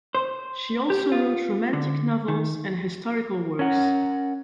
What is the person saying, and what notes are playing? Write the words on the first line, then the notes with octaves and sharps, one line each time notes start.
She also wrote romantic novels and historical works.
C5
G4
F4
D3
D#3
C#4 A#4 F#5